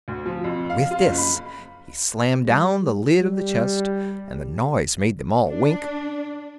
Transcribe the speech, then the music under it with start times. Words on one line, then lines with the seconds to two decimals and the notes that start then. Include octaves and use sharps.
With this he slammed down the lid of the chest, and the noise made them all wink.
0.08 D2
0.25 F3
0.44 F2
0.70 F5
0.91 F4
1.06 F#1
1.18 B5
2.45 G3
3.20 G3
5.48 D4